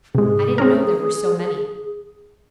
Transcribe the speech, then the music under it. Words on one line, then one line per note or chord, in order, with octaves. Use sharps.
I didn't know there were so many.
G#2 C3 G#4
C4 C#4 A#4